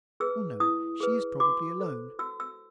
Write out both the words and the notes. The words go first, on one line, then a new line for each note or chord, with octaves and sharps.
"Oh, no; she is probably alone."
G#4 B4 E6
E4 D#6
G#4 B4
F#4 D6
A4 C5
F#4 E6
E6